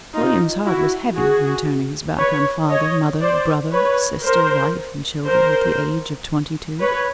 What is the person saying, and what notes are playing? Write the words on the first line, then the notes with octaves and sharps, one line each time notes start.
William's heart was heavy when turning his back on father, mother, brother, sister, wife and children, at the age of twenty-two.
D#4 F4
E4 F#4
F#4 G#4
B4 C#5
C#5 D#5
C5 D5
B4 C#5
A#4 C5
A#4 C5
B4 C#5